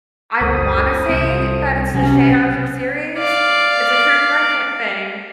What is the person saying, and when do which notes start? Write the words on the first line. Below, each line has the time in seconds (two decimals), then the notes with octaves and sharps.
I wanna say that it's the Shaye Archer series. It's a true crime tam thing,
0.41 F#1 C#2 A4 C5 D#6
1.09 C2 C4
1.94 B1 C3 F#3 C#4
3.18 D5 F5